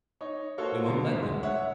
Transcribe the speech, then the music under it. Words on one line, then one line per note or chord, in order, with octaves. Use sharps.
We won't let them....
D#4 C#5
A#3 F#4 A4 C5 C#5 F5
B2 D3
D2 G#2
C#5 E5 F#5